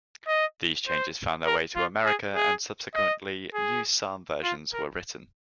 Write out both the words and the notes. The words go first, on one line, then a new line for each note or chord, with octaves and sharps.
These changes found their way to America and subsequently new psalm versions were written.
D#5
C5
A#4
F4
G#4
G#4
D#5
G#4
F4
A#4